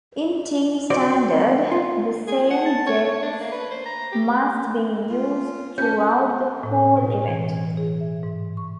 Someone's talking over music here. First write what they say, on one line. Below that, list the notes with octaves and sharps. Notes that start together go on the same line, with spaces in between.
In Team Standard, the same decks must be used throughout the whole event.
F#4 C5 D5
F4
G#4
F#5
A5
C#5
C#5
D4
A#3
B4
C5
A#5
G4
F4
C#4 B4 A5 G6
A2
B2
E3
G#4
E5
G#2
C#6